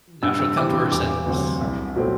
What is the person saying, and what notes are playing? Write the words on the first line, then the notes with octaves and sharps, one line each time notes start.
Now she'll come to her senses,
G2 E6
E6
E3 G3 C4 D6
E1 D6
D2 C3 F#3 C4
C2
B2 F#3 A3 C4